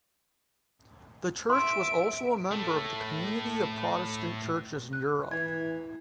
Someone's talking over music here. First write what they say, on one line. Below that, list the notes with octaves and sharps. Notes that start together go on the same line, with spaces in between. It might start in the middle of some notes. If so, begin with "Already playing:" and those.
The church was also a member of the Community of Protestant Churches in Europe.
E5 C6 D7
A2 A3
F#6
E3 G#6